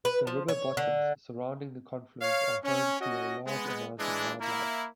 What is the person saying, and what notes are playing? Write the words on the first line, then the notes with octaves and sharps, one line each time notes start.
The river bottoms surrounding the confluence are home to a large amount of wildlife.
B4
F3
C#5
D3
C#5 F5
C#4
C#4 F#4 D#5
G#3 B3
E3 G#3 D4
A#3 E4